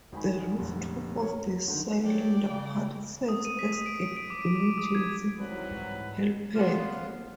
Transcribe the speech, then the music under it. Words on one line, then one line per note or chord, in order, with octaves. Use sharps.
The rooftop of the cylinder part serves as an emergency helipad.
G#1 D#3 G#5 B5
F1 A#2 D3 A4
A#4 C#5
F#3
D3 D#3
F#3 D5 G5
C#3
D#6
D#7
B6
D#6
D7
D7
D7
D6
D7
D6
D#6
G#6
C2 D#3 E3 F#3 B4
G#2
A#3 C4 F4 F#5